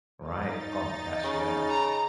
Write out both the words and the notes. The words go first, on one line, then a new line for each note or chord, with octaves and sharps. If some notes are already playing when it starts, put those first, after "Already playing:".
Right, oh my gosh, yeah.
D#4 A6
C#3
A#5